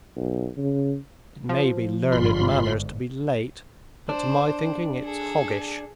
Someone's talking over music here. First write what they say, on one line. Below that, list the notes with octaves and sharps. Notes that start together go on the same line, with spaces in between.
"It may be learned manners to be late, but to my thinking it's hoggish."
B1
C#3
F3
G1 G#2 F4 B5 C6
D4 C5
G#4 A4